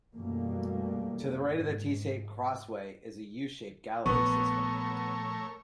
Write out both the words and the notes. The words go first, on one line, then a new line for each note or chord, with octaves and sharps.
To the right of the T-shaped crossway is a U-shaped gallery system.
F#2 B2 E3 G3 A3 A#3
G#2
A#1 A3 B3 A#4 C#5 C#6